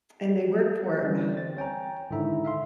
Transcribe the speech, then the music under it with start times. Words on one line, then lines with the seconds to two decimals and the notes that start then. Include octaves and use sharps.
and they work for, ugh,
1.02 D3 E3 G3 C#4
1.34 C4 A6
1.57 C#5 G5 G#5 A#5
2.11 G#2 D3 D#3 E4 E5 A#5
2.45 E5 F5 C6